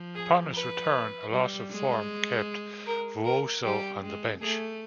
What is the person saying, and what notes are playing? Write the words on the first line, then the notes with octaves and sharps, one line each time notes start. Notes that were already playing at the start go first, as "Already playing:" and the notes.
Upon his return, a loss of form kept Vuoso on the bench.
Already playing: F3
G#4
B4
G3
G#3
A#4
A#4
G3 G4
G#3
A3 G#4